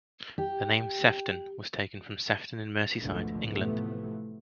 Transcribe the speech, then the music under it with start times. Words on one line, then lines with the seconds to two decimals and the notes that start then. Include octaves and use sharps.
The name Sefton was taken from Sefton in Merseyside, England.
0.38 G4
3.01 G#1 D2 B2 D3 F3 A3
3.51 A2 C3 E3 F3 A3 B3